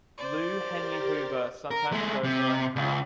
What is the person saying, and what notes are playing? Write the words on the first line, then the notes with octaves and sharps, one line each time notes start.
Lou Henry Hoover sometimes drove her own car.
C5 D5
G4 A#4 A6
A#4
G#3 A3
C3
C#2